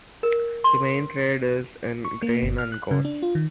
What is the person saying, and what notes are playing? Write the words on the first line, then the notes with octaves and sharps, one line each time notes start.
The main trade is in grain and goats.
A#4
C6
C#6
A#3
G1
F6
F#6
C#3
D4
F4
D#3